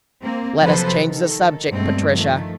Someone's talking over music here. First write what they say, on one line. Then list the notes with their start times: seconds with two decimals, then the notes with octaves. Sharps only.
"Let us change the subject, Patricia."
0.21 A#3 C4
0.60 C3 F3 F#3 A4 B4 C5
1.05 D#3 A4
1.69 G2 B2 G#3 A3 C4
2.09 D#3 F3 A3